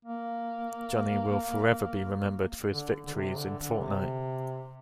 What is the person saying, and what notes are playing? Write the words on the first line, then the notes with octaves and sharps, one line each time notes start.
Johnny will forever be remembered for his victories in Fortnite.
A#3
D3
D3
C3
D3
D3
C3